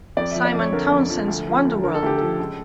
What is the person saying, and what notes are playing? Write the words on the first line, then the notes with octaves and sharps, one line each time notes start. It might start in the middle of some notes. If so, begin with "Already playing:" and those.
Simon Townsend's Wonder World!
F2 D5
F3 E5
D5
F2 C#5
D3 A#4
F2
F3
D2
F3
D2
D3 A#4
A4
D2 G4
F3 A4
C#2